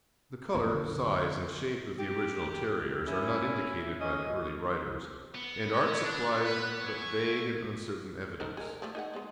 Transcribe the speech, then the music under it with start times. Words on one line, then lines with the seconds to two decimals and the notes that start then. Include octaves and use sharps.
The colour, size, and shape of the original terriers are not indicated by the early writers, and art supplies but vague and uncertain evidence.
0.55 B1 F2 A#3
0.74 D3
1.99 G4
3.07 C#4 E4
4.01 C#4 D#5
5.35 B3
5.71 C#4 A#4 B4
6.04 D4
6.44 B4
6.82 E4 G#5 C#6
8.40 D#4 A4 C5
8.57 G#4 A#4
8.82 F3 G3 A3
8.95 D#4 G#4 F#5
9.14 G#3 B3